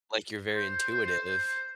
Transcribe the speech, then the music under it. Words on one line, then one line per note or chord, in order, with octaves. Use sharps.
like you're very intuitive
C5